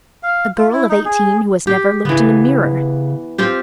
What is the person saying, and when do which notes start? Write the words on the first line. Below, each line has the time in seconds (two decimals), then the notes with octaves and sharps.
A girl of eighteen who has never looked in a mirror!
0.23 F5
0.57 F4
0.73 E4
0.89 D#4
1.05 G#4
1.67 G4
2.05 C#3 E3 B3
3.38 C4 F4 G4